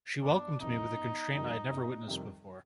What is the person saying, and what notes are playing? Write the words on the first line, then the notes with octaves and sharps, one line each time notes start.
She welcomed me with a constraint I had never witnessed before.
G1 D4
F2 C3 D#3 G3 D#4
G1
F2 C3 D#3 G3
G1
F2 C3 D#3 G3